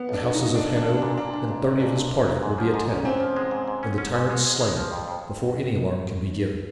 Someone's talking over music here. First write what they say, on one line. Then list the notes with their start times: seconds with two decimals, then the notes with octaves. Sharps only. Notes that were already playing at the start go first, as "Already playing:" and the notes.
The houses of Hanno and thirty of his party will be attacked, and the tyrants slain before any alarm can be given.
Already playing: B3
0.09 B1 D4
0.23 B1
0.34 D#4
0.40 B1
0.55 B1 D4
0.70 B1
0.76 D4
0.87 B1
0.97 D4
1.02 A#2
1.18 A#2 D4
1.34 A#2
1.49 B1
1.64 B1
1.80 A#2 D4
1.96 B1
2.11 B1
2.27 F#3
2.43 G#2
2.58 F3
2.74 G#2
2.89 G#2 C#4
3.05 G#2 C4
3.20 F3
3.36 G#3
3.51 G#2
3.68 G#2
3.83 C#4
3.98 C#4
4.14 G#2
4.30 G#3
4.46 G#3
4.60 G#3
4.76 F3
4.92 F2
5.08 F2